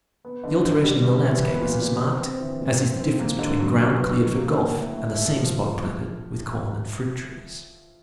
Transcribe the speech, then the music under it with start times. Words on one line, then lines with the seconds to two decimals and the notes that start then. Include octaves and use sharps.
The alteration in the landscape is as marked as is the difference between ground cleared for golf and the same spot planted with corn and fruit-trees.
0.25 B3
0.44 D3
0.63 D3
0.83 G3
1.02 G2
1.23 E3
1.43 B3
1.61 A#2
1.82 A#2
2.02 C4
2.21 C4
2.40 E3
2.60 A#2
2.80 C4
3.00 C4
3.19 A#3
3.39 D3
3.59 F#3
3.79 F#3
3.98 B2
4.18 F#3
4.37 A#3
4.57 A#3
4.77 A2
4.97 A3
5.16 A3
5.37 F3